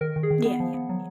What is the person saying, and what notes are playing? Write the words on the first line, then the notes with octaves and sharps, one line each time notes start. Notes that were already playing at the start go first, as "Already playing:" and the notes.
Yeah. Yeah. Yeah.
D#3 A#4
D#3
G#4
D#3
B3
F3
B3
F#3